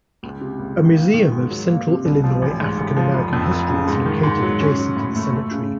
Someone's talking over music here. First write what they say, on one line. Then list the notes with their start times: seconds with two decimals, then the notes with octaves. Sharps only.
A museum of Central Illinois African-American history is located adjacent to the cemetery.
0.23 C#2
0.41 C3
0.59 C#2
0.78 D#3
0.96 A#3
1.14 D#3
1.32 G#2
1.50 F#3
1.69 A#3
1.88 C3
2.05 C2
2.24 F3
2.42 A1
2.60 G#2
2.79 A1
2.96 F3
3.14 F1
3.33 F2
3.51 F1
3.70 C#3
3.88 G#2
4.05 D#3
4.23 G#2
4.42 F#3
4.60 C#4
4.79 F#3
4.96 A2
5.16 A3
5.33 A3
5.51 C#3